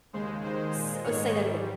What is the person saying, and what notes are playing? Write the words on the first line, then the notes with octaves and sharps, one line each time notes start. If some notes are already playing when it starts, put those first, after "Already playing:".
S Oh, say that again.
D#2 C#3 G#3 C5
D#2 D#3 G#3 C5
A#2 G#3
G#2 D#3 G#3 C#5
G#2 G3